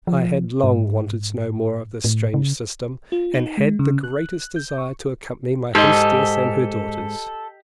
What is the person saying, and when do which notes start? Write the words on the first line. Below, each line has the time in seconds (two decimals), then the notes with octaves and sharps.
I had long wanted to know more of this strange system, and had the greatest desire to accompany my hostess and her daughters.
0.07 F3
0.64 G#2
2.04 A2
2.34 C#3
3.12 F4
3.34 D#4
3.57 G#3
3.79 C#3
4.04 F#6
4.56 G6
4.78 C#6
5.75 G#2 G4 A4 D#5